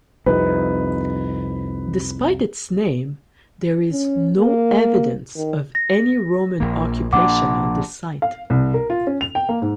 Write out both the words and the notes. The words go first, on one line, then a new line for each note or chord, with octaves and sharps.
Despite its name there is no evidence of any Roman occupation on this site.
C2 F2 C3 D#4 B4
C#4
A#3
D#3
A#6
A#1 A#3
A#1 A#3 D4 F#5 D6
F5
C2
A#4
F4
C#4
F7
G5
A#3
G#2